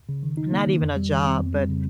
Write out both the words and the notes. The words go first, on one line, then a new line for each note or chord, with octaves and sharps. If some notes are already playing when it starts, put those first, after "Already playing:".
not even a job, but,
C#3
D#3
D#4
A#3
D#3
F2
G3
D#3
C4
F2
G3
C#3